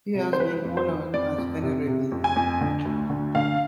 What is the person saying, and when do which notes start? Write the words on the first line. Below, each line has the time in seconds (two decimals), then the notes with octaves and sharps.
He has been honored as 'Venerable.
0.15 C3
0.33 C5
0.40 E3 B4
0.65 F2
0.77 C5
0.89 E3
1.13 F2 D5
1.38 F2
1.62 C3
1.87 C3
2.12 F2
2.24 G#5
2.36 F2
2.61 D3
2.85 D2
3.10 D3
3.35 D3 F5